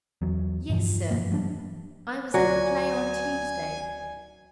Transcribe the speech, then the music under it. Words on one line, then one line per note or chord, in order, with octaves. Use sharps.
"Yes, sir, I was at the play on Tuesday."
E2 F#3
G2 B2 E3 F3
F#2 F3 A#3
E3 F#3 G3 D4
D2 F#3 D5 G#5